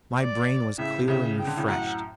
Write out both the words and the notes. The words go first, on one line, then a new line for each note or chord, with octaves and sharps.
My brain was clear and refreshed.
D5
A2 C#3 E5
A2 C#3 E5
C#3 G5
D3
A2 C#3
F#2 A2 F#5